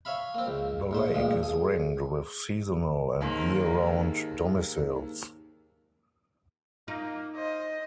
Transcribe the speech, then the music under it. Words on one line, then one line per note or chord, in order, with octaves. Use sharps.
The lake is ringed with seasonal and year-round domiciles.
C#5 E5 F5 B5
A#3 C4
C#2
A#1 G#2 C5
A1 G2 A#2 G#3
G#4
D#2 G#2 A#3
A#3 D#4 F4
C5 D#5